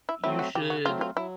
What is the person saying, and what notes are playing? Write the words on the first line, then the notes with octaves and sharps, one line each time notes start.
you should
E4
F#3 A3 C4 E4
F#4
C#3 G4
F#4
F#3 A3 C4 F4
F4
F#3 E4